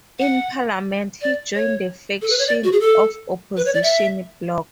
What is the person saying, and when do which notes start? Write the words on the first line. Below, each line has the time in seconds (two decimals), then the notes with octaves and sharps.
In parliament he joined the faction of Opposition Bloc.
0.19 F#5
1.21 D5
1.55 C#5
2.22 A4
2.30 B4
2.39 C#5
2.47 D5
2.64 F#4
2.72 G#4
2.80 A4
3.57 B4
3.65 C#5
3.74 D5
3.83 E5